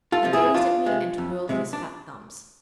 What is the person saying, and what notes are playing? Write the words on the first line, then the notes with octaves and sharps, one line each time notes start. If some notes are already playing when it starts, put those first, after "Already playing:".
He gazed at me, and twirled his fat thumbs.
F4 A4
C3 F3
E4 G#4
F2 D4 F4
C3 G#3
F2
C3 G#3
D4